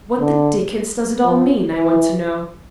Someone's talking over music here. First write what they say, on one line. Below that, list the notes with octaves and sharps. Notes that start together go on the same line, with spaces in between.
What the dickens does it all mean, I want to know?
D3
F3
E3